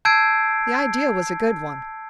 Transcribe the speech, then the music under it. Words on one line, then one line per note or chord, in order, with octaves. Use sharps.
The idea was a good one.
A5 E6 G6 G#6 C7 D7